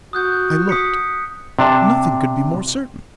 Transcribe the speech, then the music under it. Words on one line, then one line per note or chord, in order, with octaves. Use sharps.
I looked: nothing could be more certain.
F#4 D#6 F#6 G6
D#6 B6 C#7
C3 D4 A5